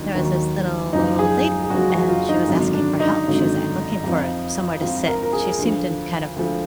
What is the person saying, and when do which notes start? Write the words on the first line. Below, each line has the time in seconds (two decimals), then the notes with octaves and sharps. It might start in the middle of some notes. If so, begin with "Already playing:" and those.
there was this little old lady, and she was asking for help, she was a looking for a somewhere to sit, she seemed in kind of
Already playing: D#2 D#3 F#3 D4
0.15 D#2 D#3 F#3
0.92 F#1 F#2 F3 D#4
1.19 G#4
1.44 G#4
1.63 G#4
1.70 F#1 F#2 F3 F#4
1.90 F#4
2.09 F4
2.29 D#4
2.48 G#1 F#2 D3 F#3 D4
2.74 D4
3.00 D#4
3.26 G#1 F#2 D3 F#3
4.04 F2 F3
4.81 F2 F3 F4
5.07 A#4
5.23 A#4
5.33 G#4
5.59 D2 D3 F3
6.36 D2 D3 F3